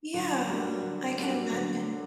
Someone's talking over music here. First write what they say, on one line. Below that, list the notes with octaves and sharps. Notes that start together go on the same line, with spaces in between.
Yeah, I can imagine.
D3 F#3
G3 A#3 D4 F#4
D3
G3 A#3 D4 F#4
D3